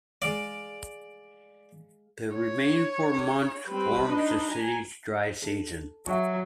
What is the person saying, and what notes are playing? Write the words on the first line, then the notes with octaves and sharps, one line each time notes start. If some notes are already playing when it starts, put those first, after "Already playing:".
The remaining four months forms the city's dry season.
G#3 D5 F5
C#5
G3 C4 B4
D4 D#4 D#5
G#5 A#5
A4
F#3 E5 F#5 C#6